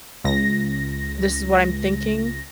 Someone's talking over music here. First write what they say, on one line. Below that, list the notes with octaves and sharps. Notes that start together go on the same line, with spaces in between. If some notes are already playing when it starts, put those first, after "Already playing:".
"This is what I'm thinking."
C#2 A#6